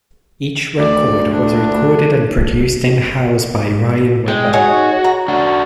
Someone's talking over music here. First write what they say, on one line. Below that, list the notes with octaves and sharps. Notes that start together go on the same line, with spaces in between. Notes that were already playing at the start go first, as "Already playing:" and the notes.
Each record was recorded and produced in-house by Ryan Weber.
D2 D5
D4
G#3 G5
D#4 F#4 G#4 C#5
A#5
D4 F#4